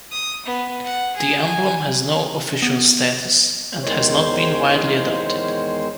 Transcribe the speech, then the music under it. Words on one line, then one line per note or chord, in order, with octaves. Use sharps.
The emblem has no official status, and has not been widely adopted.
D#6
B3
F#5
G#4
G#5
B3
E2 D#3 G#3 C5 C#5